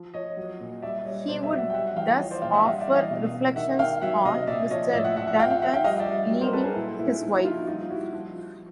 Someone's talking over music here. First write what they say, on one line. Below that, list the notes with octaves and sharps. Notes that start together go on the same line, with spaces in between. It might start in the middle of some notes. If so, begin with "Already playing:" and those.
He would thus offer Reflections on Mr. Dunton's leaving his wife.
Already playing: F3
F3 C#5 D#5
F#3
A#2
G3 D5 E5
G3 C#5 D#5
B2 C5 D5
D5 E5
F#3
E5 F#5
G5
G3 E5 F#5
F#5
E3 F5 G5
F3 C#5 D#5
C5 D5
A#2 F5 G5
E5 F#5
G3 D#5 F5
D5 E5
E3
D#5 F5
B2
B2
D#3 E5 F#5
D#3 F5 G5
F#3 E5 F#5
C3 D#5 F5
A#2 D5 E5
F3 C#5 D#5
A2 D5 E5
E5 F#5
F3 E5 F#5
E5 F#5
F3 F5 G5
F5 G5
F3 E5 F#5
F5 G5
G3 D#5 F5
D5 E5
G3
F#3
A#4 C5
F#3 A4 B4
G#4 A#4
A#2 E4
A#2 E4
F3 D#4
E4
F3 D#4 F4
E4 F#4
G3 D#4 F4
G3 E4 F#4
F3
F3